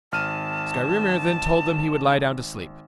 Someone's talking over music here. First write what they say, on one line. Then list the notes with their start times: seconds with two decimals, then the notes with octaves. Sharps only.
Skrymir then told them he would lie down to sleep.
0.12 G#1 A5 F6 D#7